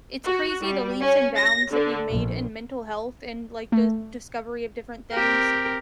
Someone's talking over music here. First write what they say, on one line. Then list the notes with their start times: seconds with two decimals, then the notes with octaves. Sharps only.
it's crazy the leaps and bounds that we've made in mental health, and like the discovery of different things.
0.25 F#4
0.61 G3
1.00 C#4
1.35 A#6
1.71 D3
2.09 A#1
3.72 A3
5.13 C4 G4 A#4